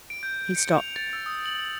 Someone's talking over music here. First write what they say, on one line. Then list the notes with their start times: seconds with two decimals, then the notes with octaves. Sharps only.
He stopped.
0.10 D7
0.23 G6
0.56 C#7
0.78 F7
0.96 A6
1.13 E6
1.26 D#6
1.46 F#7